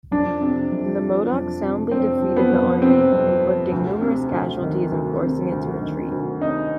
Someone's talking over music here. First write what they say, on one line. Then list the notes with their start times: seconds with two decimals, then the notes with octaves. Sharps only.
The Modoc soundly defeated the Army, inflicting numerous casualties and forcing it to retreat.
0.11 F2 D4
0.42 C3
0.72 F2
1.01 F3
1.32 F2
1.61 C3
1.91 F2 C4
2.22 F3
2.37 B3
2.52 F2
2.82 C3 C4
3.12 F2
3.42 F3
3.72 D2
4.02 C3
4.32 D2
4.62 D#3
4.92 D2
5.21 C3
5.52 D2
5.82 D#3
6.12 D2
6.41 C3 D#4